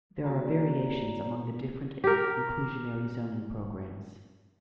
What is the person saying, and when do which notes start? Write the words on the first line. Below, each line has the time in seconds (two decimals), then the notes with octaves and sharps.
There are variations among different inclusionary zoning programs.
0.23 A#3 F#4 C#5 D5 A#5
2.04 G4 A#4